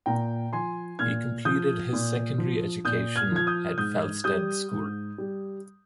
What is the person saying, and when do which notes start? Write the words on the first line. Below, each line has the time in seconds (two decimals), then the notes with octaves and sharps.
He completed his secondary education at Felsted School.
0.06 A#2 G5 A#5
0.53 F3 G#5 C6
0.99 A#2 F6 G#6
1.45 F3 D#6 G6
1.93 A#2
2.38 F3
2.85 A#2 D#6 G6
3.16 F6 G#6
3.32 F3 G#6
3.47 D#6 G6
3.78 G#2 D#6 G6
4.24 G3 D#6 G6
4.71 G#2
5.18 G3